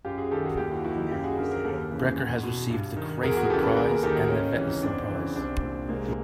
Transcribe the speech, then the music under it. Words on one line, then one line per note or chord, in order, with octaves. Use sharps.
Broecker has received the Crafoord Prize and the Vetlesen Prize.
F#2 F4 G4
F#4 G#4
D#3 G4 A4
F#4 G#4
D#2 F4 G4
E4 F#4
D#3 E4 F#4
D#4 F4
F#2 F4 G4
F#4 G#4
D3 G#4 A#4
G#4 A#4
D#2 G4 A4
C#3 E3
E2
B2
G2
D#3
E2 G#4 A#4
F#4 G#4
C#3 E3 G4 A4
A4 B4
D#2 G#4 A#4
D#3 G4 A4
F#4 G#4
C#2 C#4 D#4
C3 E3
E2 C4 D4
C#3 E3
C2 C4 D4
A#2
C2 G#3 A#3